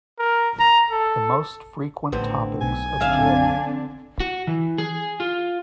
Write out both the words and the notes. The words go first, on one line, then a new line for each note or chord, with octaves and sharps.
The most frequent topics of J.
A#4
A#5
A4
A1 D2 B3 C4
B1 B2 G#5
F#2 D3 C4 D4 E5 F5
F#4
E3
G#4
F4